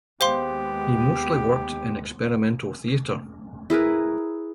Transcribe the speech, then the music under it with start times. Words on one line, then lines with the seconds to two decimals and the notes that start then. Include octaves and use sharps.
He mostly worked in experimental theater.
0.21 D#2 G#3 B3 G4 C5 F5 C6
3.70 E4 G#4 A#4 B4